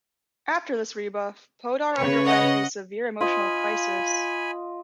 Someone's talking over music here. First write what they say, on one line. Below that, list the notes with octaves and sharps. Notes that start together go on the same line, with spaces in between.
After this rebuff, Poddar underwent a severe emotional crisis.
C#3 B4 C#5
D#5 F#5
F4 D#5 G#5 B5